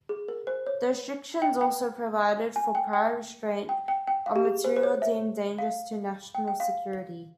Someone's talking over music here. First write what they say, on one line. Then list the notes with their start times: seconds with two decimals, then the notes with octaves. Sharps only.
The restrictions also provided for prior restraint of material deemed dangerous to national security.
0.09 G#4
0.28 A#4
0.47 C5
0.67 C#5
1.42 G5
1.61 G5
2.56 G#5
2.75 G5
2.93 G5
3.69 G5
3.88 G5
4.07 G5
4.26 F5
4.36 G4
4.45 G#4
4.64 C5
4.76 C5
4.83 C#5
5.02 E5
5.58 F5
6.35 G5
6.48 G5
6.60 F5